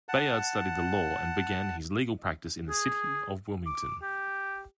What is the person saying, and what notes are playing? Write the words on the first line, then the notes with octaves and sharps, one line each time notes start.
Bayard studied the law, and began his legal practice in the city of Wilmington.
F#5 A5
G#4
D6
G4